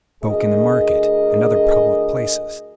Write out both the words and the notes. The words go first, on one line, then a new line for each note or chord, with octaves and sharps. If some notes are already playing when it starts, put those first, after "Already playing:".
He spoke in the market and other public places.
D2 G#4 A#4 D#5